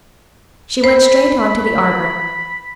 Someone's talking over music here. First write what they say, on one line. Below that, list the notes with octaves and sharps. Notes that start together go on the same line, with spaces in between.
She went straight on to the arbor.
C5 B5